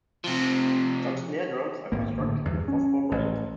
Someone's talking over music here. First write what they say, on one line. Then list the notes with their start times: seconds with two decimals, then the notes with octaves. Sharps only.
Some snare drums are constructed with phosphor bronze.
0.24 C3 F3
1.92 G#1 A#3
2.20 A2 D3
2.45 E2 G2
2.68 C#4
3.11 A1